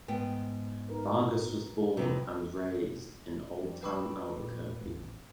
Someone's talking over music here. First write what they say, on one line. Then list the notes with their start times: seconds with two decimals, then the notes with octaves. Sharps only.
Vargas was born and raised in Old Town Albuquerque.
0.08 G#2 B3 G5
0.88 D#4 A#4 B4
1.97 C3 F#3 D#4 B4
3.61 F2 D5
3.83 B4 G5 B5 C#6 D6 E6
4.38 A#1
4.81 A1 E2